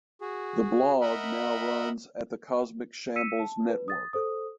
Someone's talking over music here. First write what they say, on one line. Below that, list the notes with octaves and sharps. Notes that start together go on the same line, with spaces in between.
The blog now runs at the Cosmic Shambles network.
F#4 G#4
A#4 D#5 E5 F#5 B5
E6 B6 C#7 D#7 E7
A5
B4
D#6 A6
A4 C5 D#6